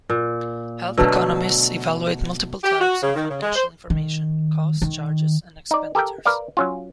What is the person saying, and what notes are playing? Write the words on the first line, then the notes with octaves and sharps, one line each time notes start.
Health economists evaluate multiple types of financial information: costs, charges and expenditures.
A#2
B2 D3 F#3 A3
G4
F#4
C#3
D#3
C#3
G#3
C5
D#3
D#3
D#4 D5
G4 A4 A#4 G5
A#4 B4 D5 F5
F#3 C#4 F4